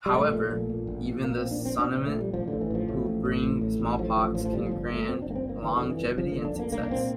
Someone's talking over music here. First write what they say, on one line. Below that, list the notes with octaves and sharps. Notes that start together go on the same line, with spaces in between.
However, even the Sonnimne, who bring smallpox, can grant longevity and success.
G3
A#1 A3
A#2
A#1
A#2
A#1
A#2
A#1 A#3
A#2 C4
D4
A#1 C4
A#2 D4
A#1 C4
A3
A#2
G3
A1 F3
A2 D3
E3
A1 F3
A2
A1
A2
A1
A2
A1
A2 F3
A1 F3
A2 F3
F3
G1 G3
G1 F3
D3
A3
F2 C4
D4
G1 A#3
C4
G1
A#3
D3 E3
D3
F2
E3
G1
G1 F3
D3 A#3
D4
F2
A#3
C2 A#3
D4
A#2 C4